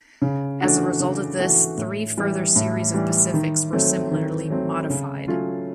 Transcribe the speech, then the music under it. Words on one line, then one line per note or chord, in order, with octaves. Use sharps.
As a result of this, three further series of Pacifics were similarly modified.
C#3
E3 A3 D4 F#4
C#3
E3 A3 D4 F#4
A2
E3 G3
A2
E3 G3
D#3
F#3 A3 C4
D#3
F#3 A3 C4
C#3
F#3 A3 C#4 F4